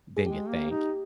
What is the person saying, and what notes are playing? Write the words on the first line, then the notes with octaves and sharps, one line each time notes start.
than you think,
G#4
G#3 G4
A#3
D#4